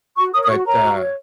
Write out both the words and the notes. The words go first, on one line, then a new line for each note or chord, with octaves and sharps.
But, uh
F#4 C#6
A#4 C#5 D#6
D#6
F#4 C#6
A#4 C#5 A#5
F#4
C#5